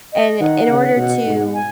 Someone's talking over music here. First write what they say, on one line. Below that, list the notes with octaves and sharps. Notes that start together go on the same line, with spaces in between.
And i in order to
D#5
D#3 F#5
C#3
B2
G#2
G#5